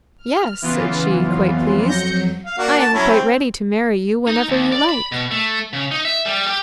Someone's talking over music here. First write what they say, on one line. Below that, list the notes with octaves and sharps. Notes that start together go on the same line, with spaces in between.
'Yes,' said she, quite pleased, 'I am quite ready to marry you whenever you like.'
F6
C#3 E3 B3 F4
F2 F#3
G6 A#6 C#7
F5
A#3 D4 F#4
A5
F#3 C#4 E4
C4
D#4
D#2
D5
B5
B2
A3
C#3
D#4
E5
G3
G4